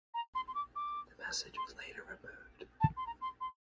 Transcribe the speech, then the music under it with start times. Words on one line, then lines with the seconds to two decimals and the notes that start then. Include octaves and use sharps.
The message was later removed.
0.14 A#5
0.34 C6
0.47 C6
0.54 D6
0.75 D6
1.57 C6
2.80 A5
2.96 C6
3.06 A#5
3.21 C6
3.40 C6